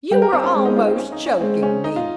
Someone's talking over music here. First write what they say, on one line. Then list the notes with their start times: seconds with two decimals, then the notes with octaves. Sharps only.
You are almost choking me!
0.11 G3 G4
0.22 A#4
0.33 C4
0.43 C#4
0.55 G#3
0.65 D#4
0.76 F4
0.87 C4
0.98 C#4
1.12 D#4
1.26 C#4
1.41 G#3 C4
1.63 C#4
1.84 D#4
1.96 F4